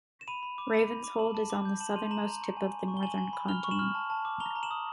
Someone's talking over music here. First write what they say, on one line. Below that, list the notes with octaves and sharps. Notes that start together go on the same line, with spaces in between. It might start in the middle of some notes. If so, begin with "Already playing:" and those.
Ravenshold is on the southernmost tip of the northern continent.
E7
B5 D#7 F7
B5
D6
B5 D#7 F7
B5
D6
A5 E7 F#7
A5
D6
G6
A5 E7 F#7
F#7
C6 D#7 F7
A#5 E7 F#7
A#5
C#6
G#5
G#5
C#6
G7
G#5 E7 F#7
G#5
B5
F6 F7 G7
C#6
E7 F#7
F6
A5
A5
D6
A#5 F7 G7
A#5
E7 F#7
D#6